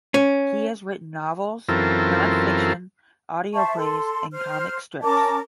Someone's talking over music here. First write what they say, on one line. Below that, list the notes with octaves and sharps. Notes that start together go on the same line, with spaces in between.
He has written novels, non-fiction, audio plays and comic scripts.
C#4
F#2 E3 C4 F4 A4 A#4
C5 E5 A5 C#6
A4 C6
C5 F6
C#4 A#4 A5 D6